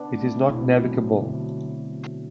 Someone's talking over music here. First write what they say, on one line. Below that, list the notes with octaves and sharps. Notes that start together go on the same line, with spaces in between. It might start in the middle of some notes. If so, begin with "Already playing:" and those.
It is not navigable.
Already playing: B3 D4
A3
B2 C4 E4
F#3 A3
D3